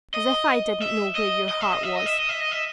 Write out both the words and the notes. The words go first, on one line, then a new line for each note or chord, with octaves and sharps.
As if I didn't know where your heart was.
D#5
E5
D#5
D#5
E5
D#5
E5
D#5
E5
D#5
E5
D#5
E5